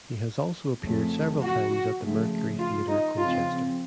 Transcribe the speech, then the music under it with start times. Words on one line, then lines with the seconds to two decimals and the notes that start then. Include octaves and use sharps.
He has also appeared several times at the Mercury Theatre, Colchester.
0.83 F2 C#3 A3
1.41 F#4
2.00 C#3 F3 A3
2.59 F4
2.87 D#4
3.17 C#3 F3 C4 F4